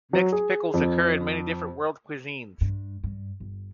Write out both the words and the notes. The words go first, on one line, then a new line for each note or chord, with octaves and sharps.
Mixed pickles occur in many different world cuisines.
F#3
G#4
F2
G2
G2
G1